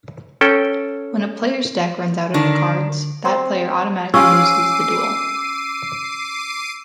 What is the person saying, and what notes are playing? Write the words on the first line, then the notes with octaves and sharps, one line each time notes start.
When a player's deck runs out of cards, that player automatically loses the duel.
C#4 A4 G5
D3 D#3 D4
C4
C#4 F4 G4 F5 D6 E6 C7 D#7